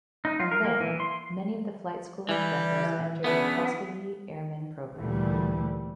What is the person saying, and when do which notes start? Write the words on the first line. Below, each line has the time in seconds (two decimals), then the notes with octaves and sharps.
From there, many of the flight school instructors entered the Tuskegee Airmen Program.
0.25 D#4
0.40 F4
0.52 A#4
0.64 A#3
0.81 E3
1.00 C6
2.29 E3 G3
3.24 C#3 E3 B3 D4
4.94 D2 A#2 E3 G3 A3